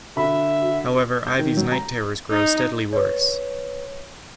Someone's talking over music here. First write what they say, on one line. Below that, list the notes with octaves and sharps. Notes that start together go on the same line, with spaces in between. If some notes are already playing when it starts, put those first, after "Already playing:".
However, Ivy's night terrors grow steadily worse.
D3 F#4 E5 B5
F#4
G6
D#3
F#3
A#5
D#4
B4 C#5